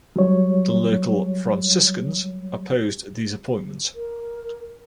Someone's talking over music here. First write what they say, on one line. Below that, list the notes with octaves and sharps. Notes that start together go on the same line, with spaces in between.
The local Franciscans opposed these appointments.
F#3 G3 C#5
A#4